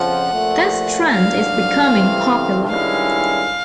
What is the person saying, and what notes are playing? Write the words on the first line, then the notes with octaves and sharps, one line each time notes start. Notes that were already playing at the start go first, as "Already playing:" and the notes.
This trend is becoming popular.
Already playing: F2 C#3 F3 F#5
A#2 F3 A3
G#1 G2 D3 F#3 F5
C2 C3 E3 A3 C4
G2 D#3 G#3 C#4 E4 F5